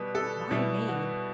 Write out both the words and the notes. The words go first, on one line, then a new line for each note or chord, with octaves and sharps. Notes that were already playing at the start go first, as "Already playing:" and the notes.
My name!
Already playing: B2 G3 B4
A4
B2 G3 E4
F#4